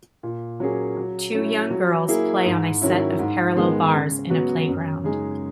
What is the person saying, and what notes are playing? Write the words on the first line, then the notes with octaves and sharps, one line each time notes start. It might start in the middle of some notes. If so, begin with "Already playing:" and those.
Two young girls play on a set of parallel bars in a playground.
A#2
F#3 A#3 C#4 G#4
F#3
C#4 E4
F#3
A#3 E4 G#4
G#2
D#3 F#3 C#4 E4
G#2
D#3 G#3 B3
C#3
F#3 B3 F#4
F#2
C#3 G#3 D#4 G#4